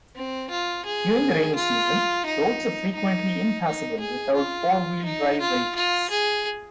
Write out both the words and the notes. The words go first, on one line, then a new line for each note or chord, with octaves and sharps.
During the rainy season, roads are frequently impassable without four-wheel drive vehicles.
C4
F4
G#4
F4
D#4
D#4
D#4
G#4
F4
D#4
F4
F4
G#4